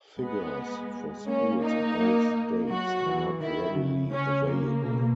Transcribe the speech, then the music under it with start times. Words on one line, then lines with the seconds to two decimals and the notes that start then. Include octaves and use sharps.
Figures for schools in all states are not readily available.
0.19 G#3 B3
1.27 A#3 C#4
1.63 D#4
1.98 A#3
2.34 A#3
2.69 F#3 F#4
3.05 E3
3.40 D#3 E4
3.77 C#3
4.11 C#3 C#4
4.48 A#3
4.83 B2